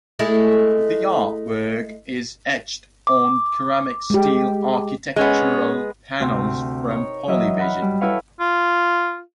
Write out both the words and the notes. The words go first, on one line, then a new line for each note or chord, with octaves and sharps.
The artwork is etched on CeramicSteel architectural panels from PolyVision.
G#3 A3 E4
D6
G#3 G4
G#3 B3 C#4
D2 C3 C4 C6
D#4 A#4 C#5
E3 F#3 A#4 D#5 E5
F#5 B5 F6
G3
E4 A4 B4 C#5 F5 F#5
F4